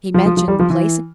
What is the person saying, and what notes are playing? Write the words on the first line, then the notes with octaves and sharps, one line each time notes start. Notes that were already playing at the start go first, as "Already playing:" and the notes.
He mentioned the placing.
F3
F3
F3
G3
F3
E3